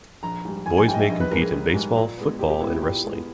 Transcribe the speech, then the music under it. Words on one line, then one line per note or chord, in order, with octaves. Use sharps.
Boys may compete in baseball, football, and wrestling.
A#1 A#5
G#2 G3
A#1 G#5
G#5
G#2 G3 D#5 G5
E5
A#1 D#5
B4
G#2 G3 A#4
G#4
A#1
G#2 G3
A#2
G#3 B3
A#2 G4
G4
G#3 B3 E4
E4
A#2 G4
G#3 B3